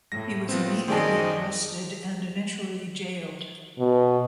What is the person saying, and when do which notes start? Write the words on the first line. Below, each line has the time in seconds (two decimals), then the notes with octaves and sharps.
He was immediately arrested and eventually jailed.
0.12 A2 A#6
0.49 F3 B3 C4
0.88 F#2 D#3 C4 G#4 D5 D#5 A5
3.79 B2